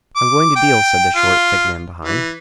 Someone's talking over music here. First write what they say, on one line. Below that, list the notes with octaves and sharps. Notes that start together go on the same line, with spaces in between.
"I'm going to deal," said the short, thick man behind.
D6
G5
F4
E3